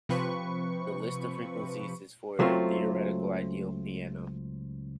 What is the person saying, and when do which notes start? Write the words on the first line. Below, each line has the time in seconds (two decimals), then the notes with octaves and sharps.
This list of frequencies is for a theoretically ideal piano.
0.09 C3 F3 C4 B4 C#6
2.39 C#2 F#3 A3 C4 F4